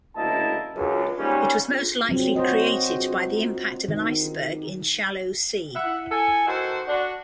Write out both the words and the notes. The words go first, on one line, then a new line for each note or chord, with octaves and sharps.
It was most likely created by the impact of an iceberg in shallow sea.
F#1 D2 A#3 E4 D#5 A5
C#2 F#2
D#2 G#2 G3 C#4
F#3 C4
F#4 C5 D#5
D#3
E5 F#5
A4 G#5
D#3 F#4 A4 C5
D4 F#4